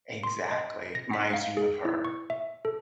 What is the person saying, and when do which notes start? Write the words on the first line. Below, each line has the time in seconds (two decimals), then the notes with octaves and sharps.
Exactly, minds you of her.
0.23 C6
0.51 D#5
0.95 A#6
1.13 B6
1.33 F5
1.57 G#4
1.85 E4
2.05 C#6
2.30 E5
2.65 A4